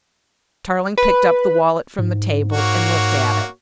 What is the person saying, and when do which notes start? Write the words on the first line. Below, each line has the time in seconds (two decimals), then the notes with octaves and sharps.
Tarling picked up the wallet from the table and looked at it.
0.98 B4
1.99 G#2
2.52 A#3 F#4 C#5